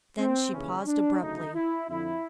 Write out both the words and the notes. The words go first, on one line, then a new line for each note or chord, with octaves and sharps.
Then she paused abruptly.
C4
D#2 C#3 E3 C#4
D4
D2 C#3 F#3 A3 D#4
E4
F2 D3 F3 E4